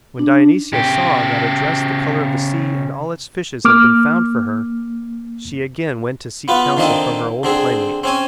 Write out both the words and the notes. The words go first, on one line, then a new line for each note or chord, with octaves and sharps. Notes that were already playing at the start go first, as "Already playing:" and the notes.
When Dionysia saw that a dress the colour of the sea and all its fishes had been found for her she again went to seek counsel from her old playmate.
D4
C#3 G4
A#3 D6 F6
B3 F4 B4
D3 D#3 A#3 C4 D#5
D3 C4 G#4
C4 C#4 G#5